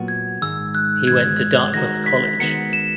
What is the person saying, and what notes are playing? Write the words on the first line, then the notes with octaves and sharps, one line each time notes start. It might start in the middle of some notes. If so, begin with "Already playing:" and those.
He went to Dartmouth College.
Already playing: A#2 F#3 B3 F#4
G#6
G#2 D#3 G#3 E6
F#6
G#2 D#3 G#3 G#6
D#3 G#3 B3 F#4 A#4 A#6
B6
D#3 G#3 B3 F#4 A#4 C#7
E7